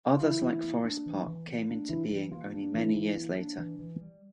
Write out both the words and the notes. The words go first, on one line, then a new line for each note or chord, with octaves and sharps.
Others like Forest Park came into being only many years later.
F4
E3 E4
E3
A#3
D4
E3
E3
A#3
D4
E3 E4
E3
A#3 F4
D4
E3 E4
E3
A#3
D4
E3
E3
G3